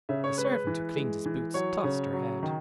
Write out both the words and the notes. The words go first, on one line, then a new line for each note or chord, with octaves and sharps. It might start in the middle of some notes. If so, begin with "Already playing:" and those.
The servant who cleaned his boots tossed her head.
C#3 E5
C#5
G#3 B4
C#5
B4
E3
G#3
E3
F#3 C#5
C#3
F#3
D#3